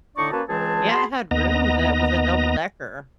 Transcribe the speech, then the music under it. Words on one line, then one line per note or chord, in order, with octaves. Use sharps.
Yeah, it had rooms, and it was a double decker.
A2 D3 D4 D#4 D5 C#6
A#3 C#4 F#4 B4 C#5 A5
C#2 E3 G#3 C4 G#4 A5
F#4 G#4 A5 B5 C6
D#2 B3 D#5 A#5